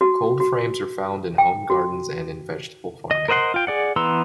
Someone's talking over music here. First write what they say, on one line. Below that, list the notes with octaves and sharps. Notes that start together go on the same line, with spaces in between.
Cold frames are found in home gardens and in vegetable farming.
F#4
F#4
G5
F#4
D#5
A#4 C5 D#5 F#5 C6
F4 G5
G#4 D5 F#5
E3 B3 A#5 C6 E6